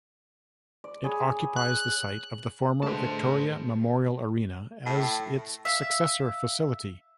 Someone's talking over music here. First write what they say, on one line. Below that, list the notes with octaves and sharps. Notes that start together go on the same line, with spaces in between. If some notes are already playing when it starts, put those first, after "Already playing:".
It occupies the site of the former Victoria Memorial Arena as its successor facility.
D5
G#4 C#5 B5
F#6
D3 G#3 A3 B4 C5 A5
A2
E5 F5